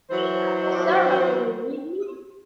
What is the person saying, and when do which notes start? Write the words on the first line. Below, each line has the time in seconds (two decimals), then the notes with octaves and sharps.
Sara can you read me?
0.11 E3 F#3 C5